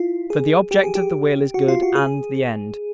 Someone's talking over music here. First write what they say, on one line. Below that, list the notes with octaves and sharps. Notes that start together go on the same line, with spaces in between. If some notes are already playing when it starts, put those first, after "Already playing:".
For the object of the will is good and the end.
Already playing: E4 F4
G#4
G4
G#4
G4
F#4
F4
F#4
G#4